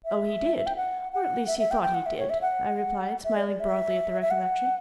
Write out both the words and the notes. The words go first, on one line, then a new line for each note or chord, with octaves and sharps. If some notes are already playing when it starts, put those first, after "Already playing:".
"Oh, he did--or at least he thought he did," I replied, smiling broadly at the recollection.
E5
G5
F#5
F#5
E5
E5
G5
G5
F#5
E5
C#5
E5
F#5
E5
D5
D5
E5
E5
F#5